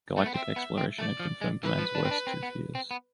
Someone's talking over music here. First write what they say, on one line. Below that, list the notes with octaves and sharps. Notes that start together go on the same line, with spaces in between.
Galactic exploration had confirmed man's worst two fears.
A3
B3
C4 E5
B3
C4
A3 D5
F3
G#3
E3 B4
F3
D4
C4
D4
C4
B3
C4
B3